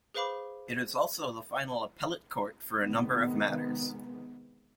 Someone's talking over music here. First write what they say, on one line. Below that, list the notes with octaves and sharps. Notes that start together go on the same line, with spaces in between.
It is also the final appellate court for a number of matters.
G#4 B4 C5 F5 B5 D6
C3 D#3 G#3 B3